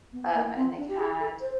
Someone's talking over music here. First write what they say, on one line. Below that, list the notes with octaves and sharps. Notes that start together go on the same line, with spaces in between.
um, and they had,
B3
A#3
C4
D4
G4
G#4
A4
C5